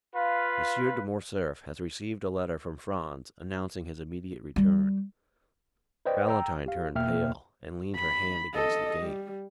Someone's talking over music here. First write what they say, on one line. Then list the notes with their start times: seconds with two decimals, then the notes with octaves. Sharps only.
"Monsieur de Morcerf has received a letter from Franz, announcing his immediate return." Valentine turned pale, and leaned her hand against the gate.
0.15 F4 B4 F5
4.56 G3
6.06 B4 C5 D5 D#5 G5
6.28 G5 A#5 E6
6.66 G4 F5
6.95 E2 B2 A#3 E5 G5 F6
7.96 B5
8.55 A4 D#5
9.02 G3